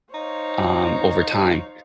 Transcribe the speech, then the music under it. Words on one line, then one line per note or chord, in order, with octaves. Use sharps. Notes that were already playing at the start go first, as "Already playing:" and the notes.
um, over time,
D#4 C5 C#5 F5